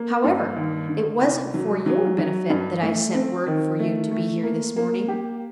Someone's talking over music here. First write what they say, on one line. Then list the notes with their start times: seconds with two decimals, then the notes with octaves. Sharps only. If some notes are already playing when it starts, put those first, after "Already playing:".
However, it wasn't for your benefit that I sent word for you to be here this morning.
Already playing: A#3
0.24 G2
0.56 D#2
0.89 D3
1.21 C2
1.54 F#3
1.86 F#3
2.18 F#3
2.50 G2
2.83 A3
3.14 C4
3.47 D#3
3.79 A3
4.11 A3
4.43 A#3
4.76 A#3
5.08 G4